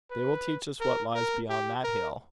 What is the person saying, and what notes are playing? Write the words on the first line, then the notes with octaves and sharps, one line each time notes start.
They will teach us what lies beyond that hill.
B4
A#4
A#4
G4
A#4